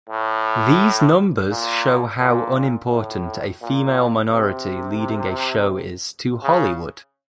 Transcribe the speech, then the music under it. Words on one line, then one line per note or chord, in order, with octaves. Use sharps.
These numbers show how unimportant a female minority leading a show is to Hollywood.
A2
A#2
A#2
A2
A#2
C3
C#3